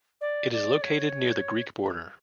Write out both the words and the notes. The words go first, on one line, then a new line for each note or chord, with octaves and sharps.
It is located near the Greek border.
D5
D5
C#5